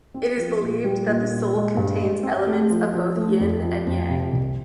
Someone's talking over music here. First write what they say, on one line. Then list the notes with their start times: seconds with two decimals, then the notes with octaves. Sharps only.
It is believed that the soul contains elements of both yin and yang.
0.14 C4
0.37 F3
0.61 A#2
0.84 G3
1.08 A#2
1.31 A#2
1.54 G#3
1.77 G2
2.00 G#3
2.23 C4
2.47 A3
2.70 F3
2.93 F3
3.16 A3
3.40 F2
3.63 F3
3.87 F2
4.09 C3
4.33 C2